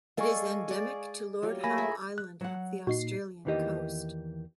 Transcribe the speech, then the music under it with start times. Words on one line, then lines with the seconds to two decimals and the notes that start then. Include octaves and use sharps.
It is endemic to Lord Howe Island off the Australian coast.
0.17 G#3 A4 D5 F5 G#5 C#6
0.68 G#4 D5
1.43 F#3 F4 G4
1.64 A#3 G#5 B5 A#6
1.78 G#4 A4 E5
2.18 F#6
2.41 F#3 F#5
2.87 A#2 D#4 F#4 C7
3.45 E2 D#3 E3 A#3 G4 D#5